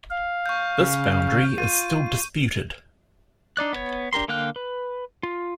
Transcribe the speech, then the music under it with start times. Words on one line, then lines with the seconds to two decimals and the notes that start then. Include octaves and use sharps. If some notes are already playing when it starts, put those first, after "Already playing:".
This boundary is still disputed.
0.10 F5
0.46 C#6 G6
0.80 C#3
1.58 F4 G6 D#7
3.57 D4 D#4 D5 F#6
3.73 B3 C#5
4.13 D4 G4 A#4 C6
4.28 D3 A#3 F5 G5 F#6
4.56 B4
5.23 F4